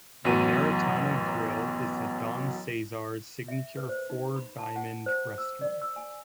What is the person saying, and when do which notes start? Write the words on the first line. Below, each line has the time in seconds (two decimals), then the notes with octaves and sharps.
The Maritana Grille is the Don CeSar's signature Four Diamond restaurant.
0.25 A1 F#2 F#3 B3 D#7
3.48 E5
3.77 B4
3.89 C5
4.10 D#4
4.36 B5
4.58 A5
4.76 F#5
5.06 C5
5.38 E6
5.61 D5
5.82 E6
5.96 G#5